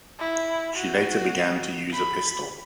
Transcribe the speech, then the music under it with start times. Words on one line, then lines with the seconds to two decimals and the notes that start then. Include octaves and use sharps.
She later began to use a pistol.
0.19 E4
0.76 F#4
1.93 B5